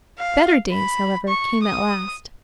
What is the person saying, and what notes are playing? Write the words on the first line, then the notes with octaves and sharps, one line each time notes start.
Better days, however, came at last.
F5
B5
C#6
D#6